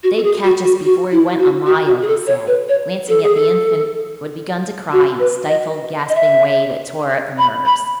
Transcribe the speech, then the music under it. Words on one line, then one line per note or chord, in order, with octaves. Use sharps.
"They'd catch us before we went a mile," he said, glancing at the infant, who had begun to cry, in a stifled, gasping way that tore at the nerves.
F#4
A4
G#4
F#4
F#4
F#4
E4
F#4
F#4
F#4
G#4
A4
C#5
B4
C#5
A4
G#4
A4
F#4
B4
D#5
D#5
E5
B5
B5